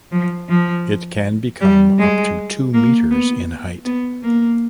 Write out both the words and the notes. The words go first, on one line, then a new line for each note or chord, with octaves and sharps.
It can become up to two metres in height.
F3
F3
G3
G#3
A#3
B3
B3
A#3